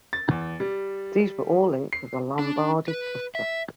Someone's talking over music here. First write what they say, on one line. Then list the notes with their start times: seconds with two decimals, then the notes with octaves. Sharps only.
These were all linked to the Lombardy cluster.
0.13 A6
0.31 E2
0.60 G3
1.93 C7
2.39 D4
2.88 B4
3.35 E5